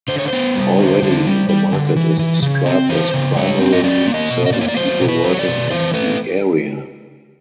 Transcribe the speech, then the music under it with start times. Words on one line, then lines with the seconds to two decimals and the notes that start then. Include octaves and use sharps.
Already the market is described as primarily serving people working in the area.
0.08 D3 C5
0.18 C#5
0.28 B3 C5
0.55 G3
0.79 D3
1.02 D3
1.26 G3
1.49 G3
1.72 D3
1.96 E3
2.19 E3
2.42 C#3
2.66 C4
2.90 E3 C5
3.14 C#3
3.36 G#3 C#5
3.59 C4
3.73 D#5
3.83 F#3 D5
4.07 A#3
4.14 D#5
4.30 B2
4.46 D#5
4.53 A#3 D5
4.61 C#5
4.68 D5
4.77 F#3 C5
5.01 B2
5.08 B4
5.24 F#3
5.34 C#5
5.39 D5
5.47 B2
5.71 E3 C5
5.94 A3 B4